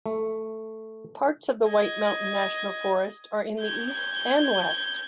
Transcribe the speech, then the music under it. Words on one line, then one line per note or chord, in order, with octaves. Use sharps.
Parts of the White Mountain National Forest are in the east and west.
A3
D#5 G#6
G6 G#6